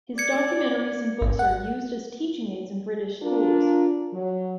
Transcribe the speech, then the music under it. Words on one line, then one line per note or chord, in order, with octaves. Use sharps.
His documentaries and books are used as teaching aids in British schools.
D5 G#6 C#7
G#1
F#5
D4 F4 A#4
F#3